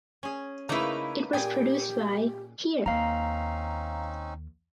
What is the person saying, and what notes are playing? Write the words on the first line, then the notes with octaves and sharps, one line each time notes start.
It was produced by Here!
C#4 G#4
C#3 A3 A#3 D#4 E4 B4 A#5
A#2 G4 G#4 G5
D#2 C4 C#4 D#4 F5 A#5